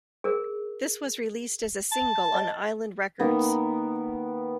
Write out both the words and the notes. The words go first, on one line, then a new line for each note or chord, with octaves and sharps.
This was released as a single on Island Records.
G#4 A#4
A5
D#5
D#3 A#3 B3